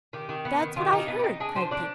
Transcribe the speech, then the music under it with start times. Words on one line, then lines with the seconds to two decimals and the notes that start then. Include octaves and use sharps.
"That's what I heard," cried Peter.
0.13 D#3 G4
0.29 D#3
0.45 B3
0.61 D#3
0.76 D#3 F4
0.93 D#4
0.98 G4
1.08 B3
1.19 G4
1.24 D#4
1.40 D4 G#4
1.56 F3 C5
1.71 D4 D5